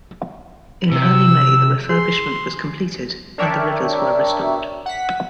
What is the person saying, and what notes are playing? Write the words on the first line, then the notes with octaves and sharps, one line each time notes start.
In early May, the refurbishment was completed, and the rivers were restored.
C3 E6
G#4 C6
D4 A#4 C#5 D5 E5 G5
F#5 B6